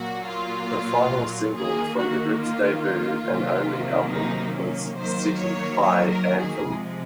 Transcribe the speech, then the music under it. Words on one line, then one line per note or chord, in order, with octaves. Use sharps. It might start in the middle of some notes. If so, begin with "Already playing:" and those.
The final single from the group's debut and only album was "City High Anthem".
Already playing: A#2 F#3 A#3 F#4
F4
D#3 A#3 G#4
F#4
F4
C3 D#3 F#3 A#3
D#4
C#4
D#3 F#3 A#3 C5
C#5
C#5
A#4
G#4
C3 F3 G#3